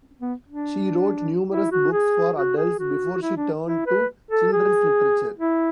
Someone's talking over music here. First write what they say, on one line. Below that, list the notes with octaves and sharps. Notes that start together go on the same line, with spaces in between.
She wrote numerous books for adults before she turned to children's literature.
B3
D4
E4
F#4
G#4
F#4
G#4
F#4
E4
D4
E4
B4
A4
G#4
E4